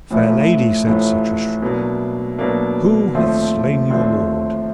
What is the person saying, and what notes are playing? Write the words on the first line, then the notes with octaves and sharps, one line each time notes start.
Fair lady, said Sir Tristram, who hath slain your lord?
A1 A2 F3 A3
A1 A2 F3 A3
B2 F#3 A#3 D4
B2 F#3 A#3 D4
D#2 D3 F3 A3 C4
D#2 D3 F3 A3 C4